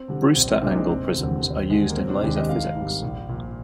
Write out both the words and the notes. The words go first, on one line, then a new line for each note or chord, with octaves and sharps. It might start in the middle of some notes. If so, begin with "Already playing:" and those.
Brewster angle prisms are used in laser physics.
Already playing: C4
D3 G3
A#1 C4
C4
A#2 G#3 D4
D#4
F1 C4
D#2 D3
D#2
D3 G#3
A#3
F1 C4
D4
D#2 D#3 G#3 G4
D#5
G#1 F5
G#2
G3
A#1
A#2 F3